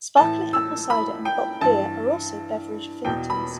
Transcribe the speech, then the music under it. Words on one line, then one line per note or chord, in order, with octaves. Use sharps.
Sparkling apple cider and Bock beer are also beverage affinities.
A2 E3 A5
E6
B5
G5
G2 E3 A5
E2 B2 G5
B5